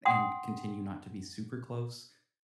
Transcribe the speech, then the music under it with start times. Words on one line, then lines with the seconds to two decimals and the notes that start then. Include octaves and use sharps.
and continue not to be super close.
0.05 F#5 G5 C6 D#6